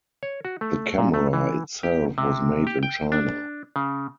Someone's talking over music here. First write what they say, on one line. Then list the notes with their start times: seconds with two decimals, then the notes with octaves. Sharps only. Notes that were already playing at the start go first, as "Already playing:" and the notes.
The camera itself was made in China.
0.23 C#5
0.45 F#4
0.61 A3
0.98 A#2
1.14 A3
1.33 E3
1.83 G4
2.18 C3
2.67 G4
2.83 G5
3.12 D4
3.76 C#3